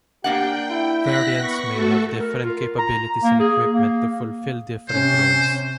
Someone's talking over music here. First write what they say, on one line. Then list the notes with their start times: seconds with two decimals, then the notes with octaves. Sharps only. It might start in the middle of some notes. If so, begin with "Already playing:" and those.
Variants may have different capabilities and equipment to fulfill different roles.
0.24 A#3 D4 G4 F#5 G5
0.70 E4
1.01 F#6 A#6 B6
1.39 B3 C#6
1.71 A3 F#4 A4
2.19 A#4
2.44 F4
2.79 A#5
3.24 A#3
3.40 G#4
3.73 A#3
4.89 C3 C#4 C5